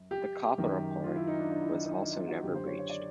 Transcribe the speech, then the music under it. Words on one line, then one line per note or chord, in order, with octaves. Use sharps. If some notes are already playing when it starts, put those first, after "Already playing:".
The koppelpoort was also never breached.
Already playing: F#2
G4
F#2 D#3
F4
E4
D#4
D4
D4
E4
D#4
D#4
E4
F4
F#4
F#2 D3 G4
C5
C#5
C#5
D5